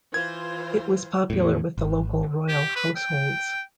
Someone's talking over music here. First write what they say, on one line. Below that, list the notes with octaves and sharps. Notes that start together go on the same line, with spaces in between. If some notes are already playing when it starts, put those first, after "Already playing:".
It was popular with the local royal households.
E3 F4 C5 G#6
E2 A2
G#1
G4
B4
G5